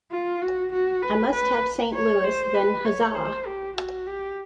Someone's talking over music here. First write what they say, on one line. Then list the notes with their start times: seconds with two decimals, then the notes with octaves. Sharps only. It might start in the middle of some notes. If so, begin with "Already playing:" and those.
I must have Saint Louis-then Huzza!
0.11 F4
0.42 F#4
0.73 F#4
1.02 B4
1.33 B4
1.94 C#5
2.24 C5
2.55 B4
2.85 C#5
3.15 C5
3.46 G4
3.77 F#4
4.07 G4